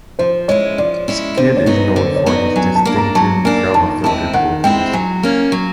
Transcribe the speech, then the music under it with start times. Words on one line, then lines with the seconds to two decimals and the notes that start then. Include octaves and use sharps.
Skid is known for his distinctive gravel-throated vocals.
0.19 F3 C5
0.48 G#3 C#4 E4 C#5
0.78 F3 D5
1.08 G#3 C#4 E4
1.37 D3 C5
1.57 C#5
1.66 F#3 B3 D#4
1.77 B4
1.96 D3 C5
2.16 C#5
2.26 F#3 B3 D#4
2.36 D5
2.56 F#3 G#5
2.75 A5
2.85 A#3 D4
2.96 A#5
3.15 F#3 A5
3.45 A#3 D4 G#5
3.74 D#3 A5
4.04 G#3 C4 E4 A5
4.33 D#3 F#5
4.64 G#3 C4 E4 G5
4.93 F#3 G#5
5.23 A#3 C#4
5.52 F#3